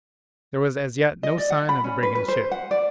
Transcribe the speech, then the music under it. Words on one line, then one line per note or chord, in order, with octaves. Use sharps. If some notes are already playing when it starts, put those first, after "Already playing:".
There was as yet no sign of the brigand ship.
D#5
D5
F#5
B5
C#4
B4
B4
C5
F#5
D5